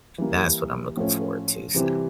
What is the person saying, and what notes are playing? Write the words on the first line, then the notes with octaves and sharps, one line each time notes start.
that's what I'm looking forward to, so
E3 G3 A#3
A2 F3 A3 C#4
C3 E3 G3 C4